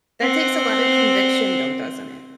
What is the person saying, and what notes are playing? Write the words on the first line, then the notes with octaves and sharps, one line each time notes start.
That takes a lot of conviction though, doesn't it?
C4 F#5